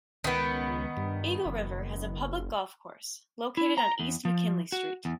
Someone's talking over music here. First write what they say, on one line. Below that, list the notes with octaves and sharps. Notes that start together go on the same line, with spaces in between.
Eagle River has a public golf course, located on East McKinley Street.
C#2 D#3 B3
G2
F#1
E4
A#5
E2
F3
F#4
E2